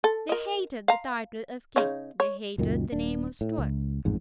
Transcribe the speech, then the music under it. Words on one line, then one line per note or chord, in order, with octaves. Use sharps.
They hated the title of King. They hated the name of Stuart.
A4
A#4 D#5
F5 A#5
C#3 D#4 C#5
C#5
C#2 F#2 A#2 D#3
D#1 D4
A2
C#2
A1 F2 G#2